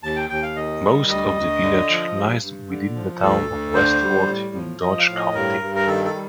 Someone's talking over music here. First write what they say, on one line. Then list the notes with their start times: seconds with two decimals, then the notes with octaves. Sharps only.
Most of the village lies within the Town of Westford in Dodge County.
0.03 D#2 A5
0.16 G5
0.29 D#2 G5
0.43 F5
0.56 D#3 D#5
0.83 G3
1.09 D2 D#5
1.36 D2
1.62 D3
1.89 F3
2.15 G2
2.42 G2
2.69 D3
2.95 F3
3.22 D2 A4
3.48 D2
3.74 D3 C5
4.01 G3
4.27 A2
4.54 F3
4.81 F3 D#5
4.99 F5
5.08 A2
5.16 D#5
5.34 G2 A#4
5.61 G2
5.75 A#4
5.87 D#3 A4
6.05 A4
6.13 G3